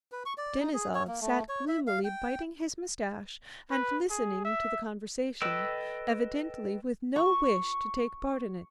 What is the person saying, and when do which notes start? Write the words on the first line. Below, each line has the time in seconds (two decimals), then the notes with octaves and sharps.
Denisov sat gloomily biting his mustache and listening to the conversation, evidently with no wish to take part in it.
0.12 B4
0.26 C#6
0.38 D5
0.60 D#4
0.74 G#4
0.95 C#5
1.07 A#3
1.21 A3
1.49 C#5
1.68 E5
1.87 F5
2.04 G5
3.71 B4
4.10 G#4
4.45 E5
5.42 A4 B4 D#5 G5 E6
7.16 C#6